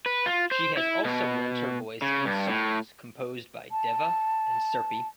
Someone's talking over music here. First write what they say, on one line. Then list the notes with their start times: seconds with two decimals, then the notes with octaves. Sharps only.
She has also lent her voice in songs composed by Deva and Sirpy.
0.06 B4
0.26 F4
0.51 C5
0.77 E4
1.04 B2
2.02 C#3
2.25 G2
2.48 A2
3.72 A5